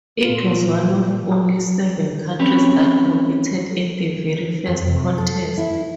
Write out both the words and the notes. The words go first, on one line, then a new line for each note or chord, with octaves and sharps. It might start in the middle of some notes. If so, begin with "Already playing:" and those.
It was one of only seven countries that competed at the very first contest.
A#2 F4
C4 C#4 G4 B4 C#5
F2
C3
A4
E4